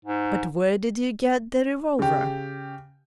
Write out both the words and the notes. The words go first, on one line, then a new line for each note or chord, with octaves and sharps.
But where did you get the revolver?
G#2
C#3 G4